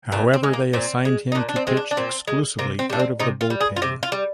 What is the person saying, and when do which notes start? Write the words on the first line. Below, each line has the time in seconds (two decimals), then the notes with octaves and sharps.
However, they assigned him to pitch exclusively out of the bullpen.
0.12 A#2 D4
0.34 C4
0.43 G#3
0.53 A#3
0.73 A#2 C4
1.05 G#3
1.32 D#4
1.35 A#2 D4
1.49 D4
1.56 C4
1.67 G#3 C4
1.77 D4
1.91 D4
1.97 A#2 C4
2.28 G#3
2.59 C3 A#3
2.79 C4
2.90 G3 D4
3.00 C4
3.19 C3 D#4
3.41 F4
3.50 G3
3.60 G#4
3.76 F4
3.82 C3 G4
4.03 F4
4.12 G3